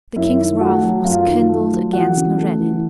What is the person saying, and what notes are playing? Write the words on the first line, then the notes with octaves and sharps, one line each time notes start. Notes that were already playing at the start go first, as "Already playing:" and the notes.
The king's wrath was kindled against Noureddin.
F#2 E4 E5
D#3
A3 F#4 F#5
F#3
F#2 F4 F5
D#3
A3
F#3
E2 F#4 F#5
C#3
A3
E3